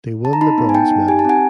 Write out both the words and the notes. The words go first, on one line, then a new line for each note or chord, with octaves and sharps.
They won the bronze medal.
A5
A#5
D#4 A5 B5
B3
G#5
D#4 G5 A5
D#4
G4 G#5
A5
C4 F#5 G#5